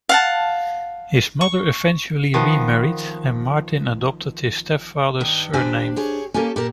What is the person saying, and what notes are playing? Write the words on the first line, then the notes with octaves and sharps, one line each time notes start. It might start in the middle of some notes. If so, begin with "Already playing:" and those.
His mother eventually remarried and Martin adopted his stepfather's surname.
F5 F#5 A5
C#6
D#3 F3 B3
G2 D#3
D#2 D4 G4 C5 G#5
G4 G#4 C#5
A#3 C#4 G4 A4 A#4 G#5
A#2 G4 A4 A#4